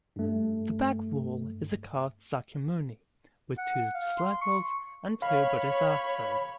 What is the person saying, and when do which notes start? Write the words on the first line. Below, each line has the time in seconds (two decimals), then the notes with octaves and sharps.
The back wall is a carved Sakyamuni, with two discliples and two bodhisattvas.
0.16 G2 A3
3.58 F#5
3.94 F5
4.18 C6
4.42 C#6
5.22 C#5 F5 B5